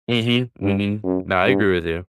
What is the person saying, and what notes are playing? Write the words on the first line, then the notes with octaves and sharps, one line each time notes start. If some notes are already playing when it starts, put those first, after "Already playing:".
Mhm, mhm. No, I agree with you.
G2
F#2
G2